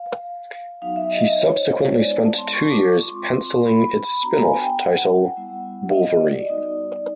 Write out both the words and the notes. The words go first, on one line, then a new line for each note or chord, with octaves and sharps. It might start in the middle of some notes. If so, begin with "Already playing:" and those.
He subsequently spent two years pencilling its spin-off title "Wolverine".
Already playing: F5
F#3 B3 D#4 F#4 F5
E5
D#5
D#5
C#5
C5
C#5
G#3 B3 D#4 D5
A5
C6
C#6
D6
C#6
G#3 C4 F4 C6
B5
B3 D4 F#4 A#5
G#5
G5
F#5
G3 B3 E4
D#5
D5
G3 B3 D#4 F#4